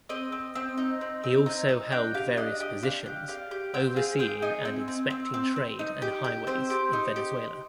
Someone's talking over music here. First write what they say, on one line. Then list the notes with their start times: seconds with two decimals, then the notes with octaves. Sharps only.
He also held various positions overseeing and inspecting trade and highways in Venezuela.
0.09 C4 D#5
0.32 C4
0.55 C4
0.78 D#4
1.01 C4
1.24 C4
1.46 D#4
1.69 D#4
1.92 D4 G5
2.14 G4 F5
2.37 D4 D#5
2.60 G4 D#5
2.83 D4 F5
3.06 G4
3.28 G4 F5
3.51 G4
3.74 C4 G5
3.96 G#4 F5
4.19 G#4 G5
4.42 D#4 G#5
4.65 C4
4.88 C4
5.10 C4
5.34 C4
5.56 C4
5.79 D#4
6.02 G4
6.24 G4
6.47 C4 C5
6.70 G4
6.93 D#4
7.16 G4